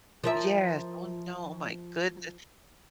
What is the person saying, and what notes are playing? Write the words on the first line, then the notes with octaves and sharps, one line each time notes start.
Yes. Oh, no, oh my goodness.
F3 A#4 E5